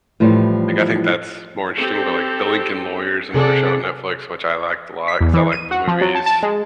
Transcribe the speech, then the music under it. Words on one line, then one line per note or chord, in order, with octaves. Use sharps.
Like, I think that's more interesting, but, like, The Lincoln Lawyer is another show on Netflix, which I liked a lot 'cause I liked the movies
A2 E3 F3 G3 C#5
C4 G4 A4
C3 G#4 A4 D5 F#5
B6
E2
E3
D#7
F#4
F3
F#3
A5
A5
G#3